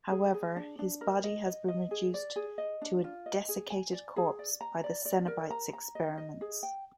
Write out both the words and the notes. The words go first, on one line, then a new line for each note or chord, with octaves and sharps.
However, his body has been reduced to a desiccated corpse by the Cenobites' experiments.
G#4
G#4
D4
D4
A#4
D#5
D#5
D#5
G#4
D5
G#4
D#5
D4
F4
D#5
G#4
G#5
D5
G#4
D5
A#5
D5
D5
A#4
A#5
A#5
D#5
D#5
G#4
G5